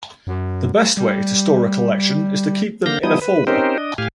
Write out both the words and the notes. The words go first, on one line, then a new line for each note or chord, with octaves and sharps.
The best way to store a collection is to keep them in a folder.
F#2
G3
D3 A#3 F5 G6 A#6
F3 G3 B3 D#4 E4 D#6
B4
C4 C#4 D#4 G4 A#4 C5
D4 D#5
A2 G4 F5 G#5